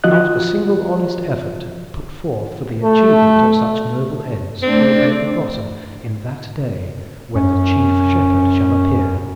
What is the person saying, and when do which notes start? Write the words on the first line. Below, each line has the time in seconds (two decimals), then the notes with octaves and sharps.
Not a single honest effort put forth for the achievement of such noble ends will be forgotten in that day "when the Chief Shepherd shall appear."
0.04 F3 F4 F#4 D#5 F#6
2.83 A3
4.62 A3 C4 D4 D5
7.35 F#2 C#4